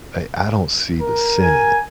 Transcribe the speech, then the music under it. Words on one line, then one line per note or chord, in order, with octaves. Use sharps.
a I don't see the sin in it.
A#4
G#5